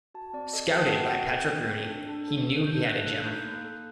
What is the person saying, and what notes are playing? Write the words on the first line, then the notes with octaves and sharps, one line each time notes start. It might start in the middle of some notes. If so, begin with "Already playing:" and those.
Scouted by Patrick Rooney, he knew he had a gem.
F#4 A5
C4 D5
A4 D#5
C4 A5
G5
F#5
F#4 G5
C4
A4
C4
A4
D4
D4
A4
A4
D4 G6
D4 F#6
A4 F#6
D#4 G6
A#3 G6
F#6
A4